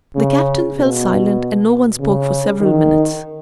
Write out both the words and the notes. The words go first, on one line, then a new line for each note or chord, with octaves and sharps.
The Captain fell silent and no one spoke for several minutes.
C#3
B2
C#3
D#3